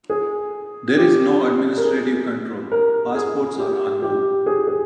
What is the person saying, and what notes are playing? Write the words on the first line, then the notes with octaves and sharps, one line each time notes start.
There is no administrative control; passports are unknown.
G#4
G4
A#4
G#4
A#4
G#4
G4
G4
G#4
G#4